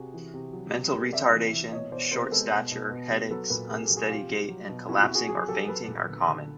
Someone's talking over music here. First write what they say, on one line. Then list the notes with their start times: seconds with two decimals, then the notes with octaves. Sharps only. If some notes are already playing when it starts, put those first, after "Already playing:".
Mental retardation, short stature, headaches, unsteady gait, and collapsing or fainting are common.
Already playing: C3 F#4 G#4
0.14 E3
0.34 C3
0.53 F#3
0.73 C3
0.93 G3 G#4 A#4
1.13 C3 D5 E5
1.33 E3
1.52 E3
1.72 B2 C#5 D#5
1.92 B2 C5 D5
2.11 C3 A#4 C5
2.31 G#3 A4 B4
2.52 B2
2.71 B2
2.91 B2
3.11 G3
3.31 F#3 A4 B4
3.50 A#2 A4 B4
3.70 C3 G#4 A#4
3.83 G4 A4
3.90 F#3
3.96 F#4 G#4
4.09 C3 F4 G4
4.30 G3
4.49 F#3
4.69 B2
4.89 C3 E4 F#4
5.02 E4 F#4
5.09 C3
5.15 F#4 G#4
5.28 F#3 F#4 G#4
5.48 F#3 G4 A4
5.68 F#3 A4 B4
5.88 A#2
6.08 D3
6.28 D3